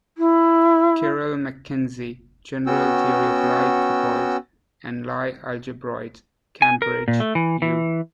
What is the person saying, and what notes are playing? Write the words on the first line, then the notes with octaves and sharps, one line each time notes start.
Kirill Mackenzie, "General Theory of Lie Groupoids and Lie Algebroids", Cambridge U.
E4
B3 C#4 F#4 G5 E6
G#5
A#4
A#2
A3
E3
E3